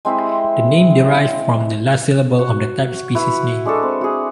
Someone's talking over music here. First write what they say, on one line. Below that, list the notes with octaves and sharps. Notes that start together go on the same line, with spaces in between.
The name derives from the last syllable of the type species name.
G#3 C4 E4 E5
F#4
E4 F#4 B4
G#3 D4 F#4 A4
C4
F#4 G#4